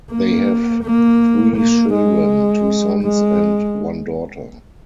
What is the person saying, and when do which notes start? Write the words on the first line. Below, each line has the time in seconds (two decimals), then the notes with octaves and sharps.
They have three children; two sons and one daughter.
0.10 A#3
0.83 A#3
1.56 A#3
1.94 G#3
3.03 G#3